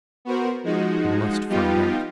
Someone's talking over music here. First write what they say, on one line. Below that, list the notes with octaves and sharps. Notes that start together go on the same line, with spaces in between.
He must find out.
B3 F#4 A#4 C5
F3 G#3 D#4 F#4
F3 G3 B3 D#4 F4 G4